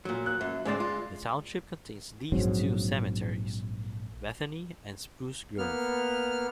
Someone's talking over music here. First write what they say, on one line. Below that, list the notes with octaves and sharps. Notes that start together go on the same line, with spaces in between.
The township contains these two cemeteries: Bethany and Spruce Grove.
A#2 F#3
A#3 F#6
F#2
G#2 C#3 G#3 C4 D5 A6
F4
A#1 G#2 F#3 C4
A#3 B3 F6